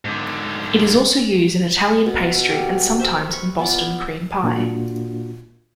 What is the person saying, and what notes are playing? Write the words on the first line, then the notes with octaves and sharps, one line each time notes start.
It is also used in Italian pastry and sometimes in Boston cream pie.
G#2 D3
B2
F#4 G4 A4 F5
C5 E5 F5
B4 C#6
B3 F4 D5
A#2 A#3 D4 F4 F#4